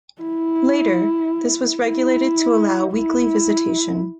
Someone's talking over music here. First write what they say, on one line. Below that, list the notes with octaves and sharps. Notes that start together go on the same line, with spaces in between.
Later, this was regulated to allow weekly visitation.
E4
E4
E4